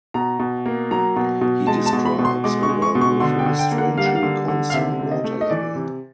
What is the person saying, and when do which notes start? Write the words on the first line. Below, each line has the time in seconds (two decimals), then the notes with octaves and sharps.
He describes a well with a strangely constant water level.
0.14 B2 A#5
0.39 B2
0.66 A#3
0.91 F#3 A#5
1.16 B2
1.41 B2
1.67 G#3 A5
1.86 A5
1.93 B2
2.06 B5
2.18 B2
2.25 C6
2.44 G#3 D6
2.63 C#6
2.69 G#3
2.82 C#6
2.95 B2
3.01 C#6
3.20 D3 C6
3.39 G5
3.46 D3
3.59 G5
3.71 A#3
3.78 F#5
3.97 G3 F5
4.06 F#5
4.15 F5
4.23 D3
4.48 D3
4.70 F5
4.73 C3 E5
4.99 C3
5.11 D#5
5.24 A3
5.41 D#5
5.50 E3 D5
5.75 C3